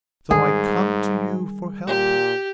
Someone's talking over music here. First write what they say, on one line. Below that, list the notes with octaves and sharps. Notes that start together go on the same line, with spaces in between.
So I come to you for help.
G#2 D#3 G3 G#4
A#2 G4